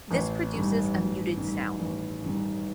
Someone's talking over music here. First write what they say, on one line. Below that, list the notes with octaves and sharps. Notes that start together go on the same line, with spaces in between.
This produces a muted sound.
A1
G2 D#3
A1
G2 D#3
A1
G2 D#3